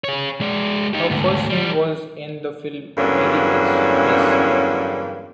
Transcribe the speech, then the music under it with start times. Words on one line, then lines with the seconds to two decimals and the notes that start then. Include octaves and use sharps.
Her first scene was in the film "Merry X-Miss".
0.04 G#4 C#5
0.41 G#3 D5
0.93 D#4 G4
1.10 D2 G#2
1.50 F3 G3
2.98 E2 G2 D3 F#3 A#3 C#4